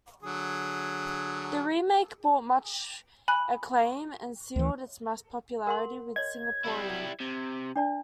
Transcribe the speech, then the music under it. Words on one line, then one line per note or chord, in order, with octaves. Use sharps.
The remake brought much acclaim and sealed its mass popularity with Singaporeans.
D3 F#3 G#4
G#5 B5 F#6
D2 E3
A#4 F#5 C6
C#5 D#5 G#6
G3 E4
C3
D4 D5 A5